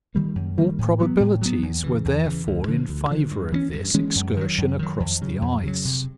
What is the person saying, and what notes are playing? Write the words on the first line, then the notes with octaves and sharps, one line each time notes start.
All probabilities were therefore in favour of this excursion across the ice.
D#3 G3 A#3
F#2
D#3 G3 A#3
A2
F#3 B3
A2
F#3 B3
E2
C#3 E3
E2
C#3 E3
D2
D3 F3
D2
D3 F3
G2
E3 G#3 C#4
G2
E3 G#3 C#4
F#2
D#3 F#3
F#2
D#3 F#3
F2
C#3 F#3
F2
C#3 F#3
C3